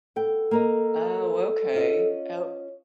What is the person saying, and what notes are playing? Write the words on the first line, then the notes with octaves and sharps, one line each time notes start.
Oh, okay. Oh,
B3 A4 G5
A#3 A#4 D#5
C#4 F4 D#5